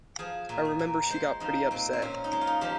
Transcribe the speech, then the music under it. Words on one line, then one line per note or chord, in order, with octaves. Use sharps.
I remember she got pretty upset.
F3 G#4
A#2
G#4
A#2
G#3 C5
F3 D#4
A#2 C4
C4
A#2 C#4
D#4
G#3
F4
D#4
F3 G4